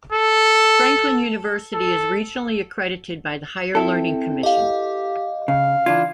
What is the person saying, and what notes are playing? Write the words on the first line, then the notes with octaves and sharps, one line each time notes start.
Franklin University is regionally accredited by the Higher Learning Commission.
A4
A4
C4 E4 A4
G4 D#5 F5
C#3 F5
E3 D4 F4 G#6